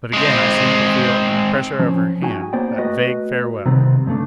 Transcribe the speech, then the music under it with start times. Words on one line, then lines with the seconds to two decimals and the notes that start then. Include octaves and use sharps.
But again I seemed to feel in the pressure of her hand that vague farewell.
0.14 G#3 C4
1.79 F3 C#4
2.22 D#4 F#4 G5 G#5
2.53 A#3 B3 C5 D5 G5
2.78 A3 F#4 B4 D#5
3.66 C3 D#3 G3 B3 C4
4.07 G2 C#3 A3 D4